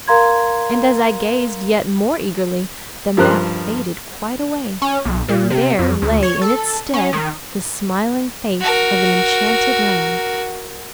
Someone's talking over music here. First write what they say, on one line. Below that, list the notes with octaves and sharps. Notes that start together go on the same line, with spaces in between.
And as I gazed yet more eagerly the map faded quite away, and there lay in its stead the smiling face of an enchanted land.
A#4 F5 A#5 C6 G#6
G2 F3 A#4 C5 F#6
C#4
B1
A#2
C3
F2
D2
C#5
A4
C#4
D#3
F#4 A#4